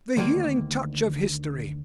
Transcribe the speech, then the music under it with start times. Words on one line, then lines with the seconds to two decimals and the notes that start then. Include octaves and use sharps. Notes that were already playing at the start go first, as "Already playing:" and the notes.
"The healing touch of history."
0.17 D2 D#3 A#3